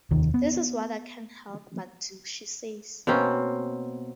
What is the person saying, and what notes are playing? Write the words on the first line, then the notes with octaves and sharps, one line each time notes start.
This is what I can't help but do, she says.
F1 D#2 D#3
B3
B2 A#3 C4 C#4